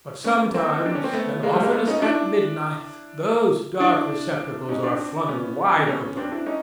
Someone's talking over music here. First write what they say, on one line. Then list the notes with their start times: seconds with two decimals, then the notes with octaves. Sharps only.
But sometimes, and oftenest at midnight, those dark receptacles are flung wide open.
0.24 B3 C#4
0.54 A#3 C4
0.76 D#4
0.86 D4
0.95 C#4
1.04 C4
1.13 A3 B3
1.43 G#3 A#3
1.53 G3 A3
1.63 G#3 A#3
1.72 A3 B3
1.87 C#4 D#4
2.02 D4 E4
3.80 D4 E4
4.69 C#4 D#4
4.83 C4 D4
5.29 B3 C#4
5.79 D4
5.87 B3 C#4
6.17 C4 D4
6.32 D4 E4
6.46 C#4 D#4